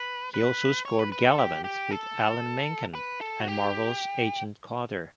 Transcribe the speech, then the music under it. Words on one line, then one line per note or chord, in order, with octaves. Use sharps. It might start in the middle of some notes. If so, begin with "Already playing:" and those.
He also scored "Galavant" with Alan Menken and Marvel's "Agent Carter".
Already playing: B4
B4
C#5
B4
B4
A4
G4
G4
A4
B4
A4
F#4
G4